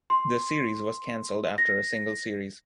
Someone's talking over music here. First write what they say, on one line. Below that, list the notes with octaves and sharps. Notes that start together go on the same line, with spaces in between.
The series was cancelled after a single series.
C6
A#6